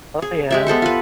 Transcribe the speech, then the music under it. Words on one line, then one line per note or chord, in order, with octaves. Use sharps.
Oh, yeah.
G#4
G#3 G4 E5
B3 A4 C5 C#6
F4 B4